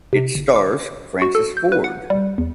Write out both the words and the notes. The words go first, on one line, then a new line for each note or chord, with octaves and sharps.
It stars Francis Ford.
C3
G1
D6
F#4
A4
G6
B4
F#5
G3
E2